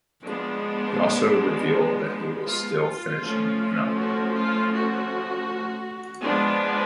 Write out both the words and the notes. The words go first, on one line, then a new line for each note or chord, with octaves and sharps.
He also revealed that he was still "finishing" the album.
F3 G#3 B3 D4
F4
F3 A3 C#4
F#4
F4
F#4
F3 G#3 B3 D4 B4